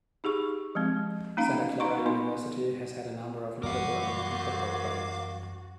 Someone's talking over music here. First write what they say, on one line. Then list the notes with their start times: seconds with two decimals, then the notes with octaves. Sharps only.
Santa Clara University has had a number of notable American football players.
0.24 D#4 G4 G#4 C#6
0.75 F3 G#3 C4
1.37 A#3 C#4 D#4 F5 A#5
1.80 D#4 F5 A#5 C6 C#6
2.06 B3 D#4 C6
3.63 F#2 E3 G3 F#4 A#4 F5 F#5 D6